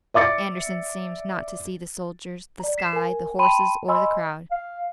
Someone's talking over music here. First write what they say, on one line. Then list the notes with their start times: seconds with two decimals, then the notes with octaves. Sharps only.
Andersen seemed not to see the soldiers, the sky, the horses or the crowd.
0.14 D5 E5 D6 A6 C#7
2.60 D5 A#5
2.78 B6 C7 E7
2.93 A#4 G#5
3.39 G5 A5 B5 C6 D#7
3.88 D#5 G#5 B5 C6 E6
4.51 F5